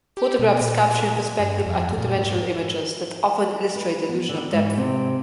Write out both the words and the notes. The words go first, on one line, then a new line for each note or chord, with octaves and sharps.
Photographs capturing perspective are two-dimensional images that often illustrate the illusion of depth.
G4
B2
A#2
G2
F2
A#2
G#2
B4
B3
D3
G#2
C3